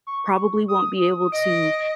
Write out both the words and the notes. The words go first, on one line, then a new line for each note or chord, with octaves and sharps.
probably won't be able to
C#6
D#6
D#5 D7